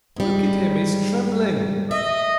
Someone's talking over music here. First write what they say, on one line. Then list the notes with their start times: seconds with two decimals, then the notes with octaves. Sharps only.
Look at him, he's trembling!
0.16 G#2 G3
1.91 D#5 E5